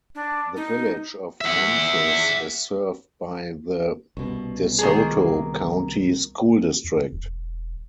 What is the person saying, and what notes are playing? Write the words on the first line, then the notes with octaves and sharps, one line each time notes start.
The Village of Memphis is served by the DeSoto County School District.
D4
D#4
E5 F#5
C2 B2 C#4
D#3 A#3 G#4 A#5
E2
E1